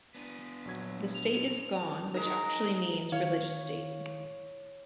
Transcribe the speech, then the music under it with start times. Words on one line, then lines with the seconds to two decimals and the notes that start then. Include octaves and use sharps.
The state is gone", which actually means "Religious state?
0.15 B3 D4
0.65 A#1 F#3 G#6
1.14 F7
2.14 G#3 D#4 A#4
3.12 D#3 E4 C#5 F5